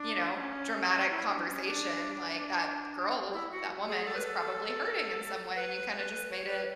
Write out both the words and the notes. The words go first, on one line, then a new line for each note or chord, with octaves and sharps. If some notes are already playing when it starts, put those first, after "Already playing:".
you know, dramatic conversation like that girl, that woman was probably hurting in some way and you kinda just made it.
Already playing: D4
C#4
E4
D4
C#4
D4
E4
F#4
G#4
A4
B4
A4
B4
C#5
B4